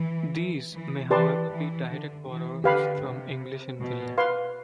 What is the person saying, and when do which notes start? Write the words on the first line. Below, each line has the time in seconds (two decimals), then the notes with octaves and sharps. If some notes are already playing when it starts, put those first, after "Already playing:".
These may, however, be direct borrowings from English in Finland.
Already playing: E3
0.73 E3
1.11 E3 G4 B4 D5 A5 C6
1.49 E3
1.88 D3
2.26 E3
2.64 D3 G4 B4 F5 B5
3.03 C3
3.79 B2
4.18 B4 F5 C6